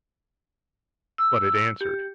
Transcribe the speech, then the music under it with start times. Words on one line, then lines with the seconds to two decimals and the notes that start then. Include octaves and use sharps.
But it answered.
1.18 E6
1.81 G4